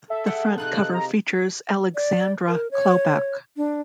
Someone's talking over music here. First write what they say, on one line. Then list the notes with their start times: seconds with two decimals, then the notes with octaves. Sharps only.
The front cover features Alexandra Klobouk.
0.10 A4 E5
0.26 G#4 F#5 G5
0.58 C3 D#4 F4 F#6
0.94 A#5
1.95 D5
2.48 A#4
2.71 C#5
3.57 D4